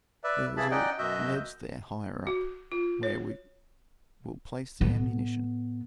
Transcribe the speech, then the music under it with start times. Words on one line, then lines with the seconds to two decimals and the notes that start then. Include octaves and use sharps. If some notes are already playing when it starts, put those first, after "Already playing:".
There's a ledge there higher up where we will place the ammunition.
0.24 B4 D5 E5
0.57 C#3 E3 E4 G#4 A5 B5
0.71 C#4 D#4 D5 D#5 F#5 G5
0.98 F#2 B2 F#4 D#5 E5 G6
2.27 F#4
2.72 F4
3.03 C#5
4.81 A2 B3